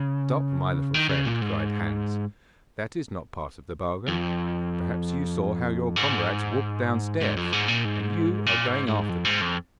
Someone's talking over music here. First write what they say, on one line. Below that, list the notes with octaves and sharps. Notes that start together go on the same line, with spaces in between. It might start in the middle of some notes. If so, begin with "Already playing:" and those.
'Stop, my little friend!' cried Hans. 'That is not part of the bargain! Perhaps you saw how your comrades walked down stairs, and you are going after them.
Already playing: C#3
D#3
C#3
A#2
G#2
F2
G#2
G#2
F2
G#2
A#2
G#2
A#2
G#2
G#2
F2
G#2
F2